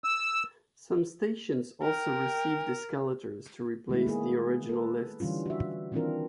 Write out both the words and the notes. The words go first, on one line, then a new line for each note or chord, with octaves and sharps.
Some stations also received escalators to replace the original lifts.
E6
A#4 G5
D#3 G#3 A3 E4
A#3 B3 G#4
A4 B4
D3 E3 G3 C#4 F4
F#4 E5
D#3 E3 C4 D4 F4 A#4